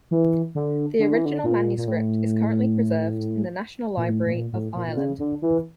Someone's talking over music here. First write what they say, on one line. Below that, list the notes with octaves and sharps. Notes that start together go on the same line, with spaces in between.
The original manuscript is currently preserved in the National Library of Ireland.
E3
D3
D3
E3
D3
A#2
A#2
A2
A#2
A2
A2
A#2
A2
A#2
A#2
C#3
D3
E3